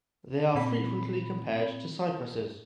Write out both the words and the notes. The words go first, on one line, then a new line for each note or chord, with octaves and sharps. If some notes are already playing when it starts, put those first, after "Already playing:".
They are frequently compared to cypresses.
A#2 C4 B5